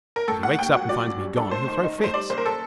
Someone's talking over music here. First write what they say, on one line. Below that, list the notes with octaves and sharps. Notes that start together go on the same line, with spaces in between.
If he wakes up and finds me gone he'll throw fits.
A#4
A2 A4
A2 F#5
D#2 G5
F#3 F#5
F#3 D5
F#2
G3
D4 A4
A3 C5
D#3
D#4
A3
C5
G3 D5
F#1 C5
A#4
A4